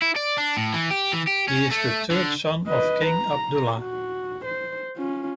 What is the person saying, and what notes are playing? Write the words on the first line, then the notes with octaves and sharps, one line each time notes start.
He is the third son of King Abdullah.
E4
D5
D4
A2
E3
G4
E3
G4
C#4
A3
D3
B4 D#5
A#5
F#4
C5
C#4 F4